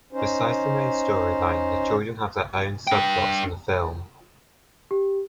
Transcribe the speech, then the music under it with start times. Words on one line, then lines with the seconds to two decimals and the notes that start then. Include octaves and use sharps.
Besides the main storyline, the children have their own subplots in the film.
0.13 C#4 D#4 C5
2.87 D4 G5
4.91 G4